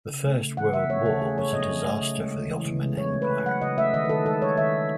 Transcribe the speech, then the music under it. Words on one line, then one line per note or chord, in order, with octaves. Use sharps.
The First World War was a disaster for the Ottoman Empire.
C#3
A3
C#3
E3 F#5
C#3 E5
A3 C#5
C#3 A4
A3 G#4
C#3 C#5
F#3 D#5
C#3
A3
C#3
G#3
C#3
E3
C#3
G#3
C#3 C#5
A3
B4
C#3
F#3 F#5
C#3 D#5
A3 E5
D#3 D#5
B4
D#3 A4
G#3 A4
G#3 C#5
D#3 E5
D#3